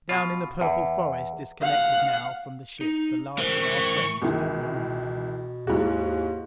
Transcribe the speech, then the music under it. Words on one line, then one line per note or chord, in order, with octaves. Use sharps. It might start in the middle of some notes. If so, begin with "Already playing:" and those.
Down in the purple forest, disconnected now from the ship, the last of our friends stood marooned.
B2 F4
E2
F5 F#5
D#4
E3 G#3 A#4 C5 C#6
C#2 B2 D#3 E3
D#2 G#2 E4 F#4 G#4